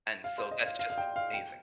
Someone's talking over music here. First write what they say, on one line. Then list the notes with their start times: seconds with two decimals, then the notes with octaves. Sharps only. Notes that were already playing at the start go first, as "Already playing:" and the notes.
and so, that's just amazing.
0.24 F5
0.38 C5
0.51 D#5
0.66 F5
0.79 F5
0.90 F5
0.98 G5
1.16 F5
1.34 G5